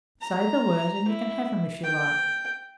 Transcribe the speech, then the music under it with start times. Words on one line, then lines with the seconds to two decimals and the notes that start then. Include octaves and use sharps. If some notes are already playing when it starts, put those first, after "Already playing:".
"Say the word, and you can have them, if you like."
0.22 A#5
1.08 E4
1.83 G5